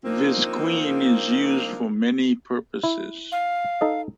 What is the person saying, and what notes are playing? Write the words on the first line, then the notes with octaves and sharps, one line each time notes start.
Visqueen is used for many purposes.
F3 A#3 C4 D4 D#4 F4
E4
F5
D#4 A4 D#5